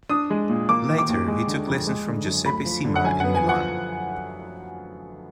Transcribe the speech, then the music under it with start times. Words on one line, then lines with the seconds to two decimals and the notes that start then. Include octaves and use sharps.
Later, he took lessons from Giuseppe Cima in Milan.
0.09 D4 D#6
0.30 G#3
0.49 A#2
0.69 A#3 D6
0.88 D#3
0.98 D6
1.09 D#2
1.28 G#3
1.47 D3
1.67 F2
1.87 G#3
2.07 D3
2.26 F#2
2.46 D2 B5
2.65 F3
2.84 D3
2.96 F#5
3.04 F#2 G#5
3.20 B3 F#5
3.35 G#5
3.44 F3 F#5